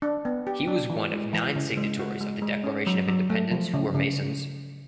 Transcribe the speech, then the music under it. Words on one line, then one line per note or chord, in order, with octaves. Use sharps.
He was one of nine signatories of the Declaration of Independence who were masons.
D4
B3
G4
D4
E3
G#3
E3
C#3
G#3
F#4
G#3
G#3
C#4
F#3
F#3
A3
F3
C#3
C#3